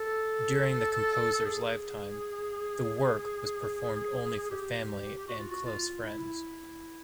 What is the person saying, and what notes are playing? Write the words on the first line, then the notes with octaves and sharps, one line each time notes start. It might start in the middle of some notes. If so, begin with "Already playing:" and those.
During the composer's lifetime, the work was performed only for family and close friends.
Already playing: A4
G#4
G4
F#4
F4
F#4
F4
E4